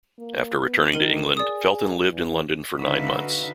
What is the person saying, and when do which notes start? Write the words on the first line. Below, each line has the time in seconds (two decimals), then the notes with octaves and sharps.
After returning to England, Felton lived in London for nine months.
0.18 A#3
0.60 B3
0.92 D#3 A#4 D#7 F#7
1.37 G#4 D5 D#6
2.11 E2
2.77 D3 D#4 F#4 B4 E5 F5